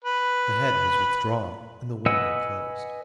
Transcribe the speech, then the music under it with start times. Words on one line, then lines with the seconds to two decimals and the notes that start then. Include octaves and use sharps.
The head was withdrawn and the window closed.
0.04 B4
2.06 B4 D#5 F#5 G#5 E6